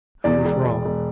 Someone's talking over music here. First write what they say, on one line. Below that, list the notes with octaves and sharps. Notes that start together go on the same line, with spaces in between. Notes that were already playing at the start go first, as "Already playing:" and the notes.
I was wrong.
E2 D5
E1
E1
E1